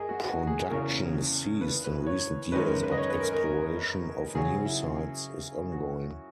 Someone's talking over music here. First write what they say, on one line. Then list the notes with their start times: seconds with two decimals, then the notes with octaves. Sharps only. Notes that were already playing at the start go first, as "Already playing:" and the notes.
Production ceased in recent years but exploration of new sites is ongoing.
Already playing: F#2 G#4 A#4 D#5
0.09 F#4
0.24 F#4
0.47 G#4
0.70 E2 C#3 E3 A#3 C#4 A#4
1.61 B4
1.84 B4
2.07 C#5
2.52 F#2 D#3 G#3 C#4 B4
2.67 A#4
2.83 B4
2.92 D#5
2.98 C#5
3.10 B4
3.20 A#4
3.33 A#4
4.35 C#3 F#3 C#4 G#4
4.65 E4
5.72 F#4